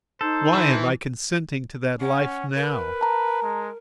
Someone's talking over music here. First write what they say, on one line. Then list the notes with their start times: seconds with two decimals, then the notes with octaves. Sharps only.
Why am I consenting to that life now?
0.21 D#4 A4 C5
0.54 E3
2.01 C#4 F#5
2.56 A#4 B4
3.01 A5 A#5
3.43 G#3